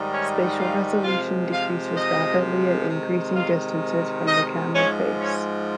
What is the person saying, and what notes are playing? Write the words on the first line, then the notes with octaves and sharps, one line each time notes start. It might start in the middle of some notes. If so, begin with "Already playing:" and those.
Spatial resolution decreases rapidly at increasing distances from the camera face.
Already playing: G#2 D#3 G3
C#4 C#5
F4 F5
C3 F3 G#3 F4 F5
F4 F5
D#4 D#5
C3 D#3 G#3
F4 F5
D#4 D#5
G#2 F3 G#3 C#4 C#5
C#4 C#5